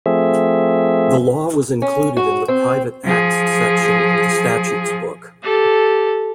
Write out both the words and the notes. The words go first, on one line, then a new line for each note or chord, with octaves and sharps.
The law was included in the "Private Acts" section of the statutes book.
F3 A3 C4 G#4 E5
C#4
F#4
C4
F3 G#4
G4 A4